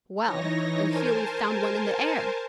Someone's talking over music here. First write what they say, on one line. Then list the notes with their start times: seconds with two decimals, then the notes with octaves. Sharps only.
"Well; and here we've found one in the air!"
0.21 E3 D#4 C#5 A#6
0.85 A#4 C5 G#5 A5